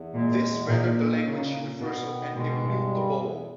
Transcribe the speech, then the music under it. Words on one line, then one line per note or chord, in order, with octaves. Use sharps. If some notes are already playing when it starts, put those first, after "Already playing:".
This rendered the language universal and immutable.
Already playing: E2
A#2 G#3
E2
A#2 D#4
A#2
C#3 A#3
A#2
B2 B3
D#3
B2 G#3
G2
G3
E2